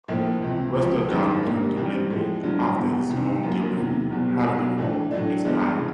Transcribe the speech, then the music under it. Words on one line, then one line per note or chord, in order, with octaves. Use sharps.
Westergaard returned to Lyngby after his loan deal with Hvidovre expired.
A#1 A2 F3 A#3
C#2 C3 E3
C#2 C#3 F3
G#1 F#2 D#3 G#3 C#4
G#2 D#3 G3 A#3 D4
G#1 G2 E3 G3 C4
A2 F3 G#3
G1 G2 D3 F#3
E1 E2 B2
C2 C3 D#3 G3 C4
F#2 D3 F#3 A#3
E2 C3 D#3 F#3 A#3
F#1 E2 B2 G3
B1 B2 F#3
A2 E3 A3 D4
A2 F#3 A3 D4
G2 E3 G#3 B3 D4
C#3